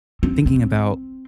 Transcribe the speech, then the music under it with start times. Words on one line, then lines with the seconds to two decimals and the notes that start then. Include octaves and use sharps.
thinking about
0.23 C4
0.46 C4